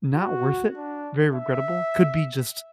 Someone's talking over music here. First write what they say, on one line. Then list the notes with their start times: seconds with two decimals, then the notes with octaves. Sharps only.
not worth it, very regrettable." Could be just
0.15 F#4
0.77 D4
1.35 E5